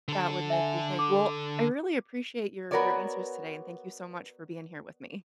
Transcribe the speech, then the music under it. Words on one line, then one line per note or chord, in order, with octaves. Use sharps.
That would make you think. Well, I really appreciate your your answers today, and thank you so much for being here with me.
D3 A4
E5 G#5
D6
B3 F#4 A#4 B4 C#5 D5